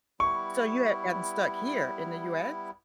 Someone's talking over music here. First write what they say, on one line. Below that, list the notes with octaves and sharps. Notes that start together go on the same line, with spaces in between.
So you had gotten stuck here in the US?
G3 B3 E4 C#6